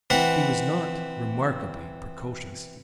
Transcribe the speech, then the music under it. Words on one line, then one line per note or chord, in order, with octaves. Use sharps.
He was not remarkably precocious.
E3 C4 F#5 B5